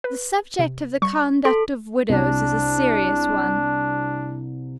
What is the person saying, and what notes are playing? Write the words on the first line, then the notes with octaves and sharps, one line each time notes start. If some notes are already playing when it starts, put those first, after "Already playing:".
The subject of the conduct of widows is a serious one.
B4
C3
G3 C#6
A4 C6
C2 D4